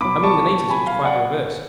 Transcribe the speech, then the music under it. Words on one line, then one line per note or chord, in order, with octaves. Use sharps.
Among the natives it was quite the reverse.
B2 F#3 B5 D6
A5 C#6
A5 C#6
G#5 B5
F5 G#5
D5 F#5